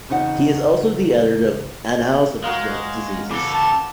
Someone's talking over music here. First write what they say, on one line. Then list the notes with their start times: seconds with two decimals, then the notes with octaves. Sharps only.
He is also the Editor of Annals of Breast Diseases.
0.09 E2 C#3 C4 D#4 F#5
2.44 G#3 F#4 A#4 F5
3.31 C#3 A4 D6
3.52 A5